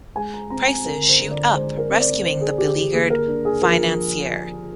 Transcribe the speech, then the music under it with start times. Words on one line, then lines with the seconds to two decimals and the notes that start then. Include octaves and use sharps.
Prices shoot up, rescuing the beleaguered financier.
0.16 G#3 G#5
0.34 A#5
0.50 C4 A#5
0.67 G#5
0.85 D3 A#4
1.08 C5
1.20 D3
1.31 D5
1.54 G#3 C5
1.77 A#4
1.89 C4 C5
2.00 D5
2.24 D3 C5
2.41 G#4
2.58 D3 G4
2.76 G4
2.93 A#3 G#4
3.10 A#4
3.28 D4
3.45 G#4
3.62 F3 A#4